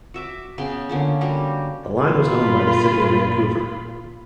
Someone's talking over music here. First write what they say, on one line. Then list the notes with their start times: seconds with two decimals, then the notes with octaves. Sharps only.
The line was owned by the City of Vancouver.
0.14 F#4 E5 D6
0.58 C#3 B3 G5 C6
0.89 D3 A#3 C#4
1.21 G3 A#3 F#4 G4
1.99 A#2 F4 B5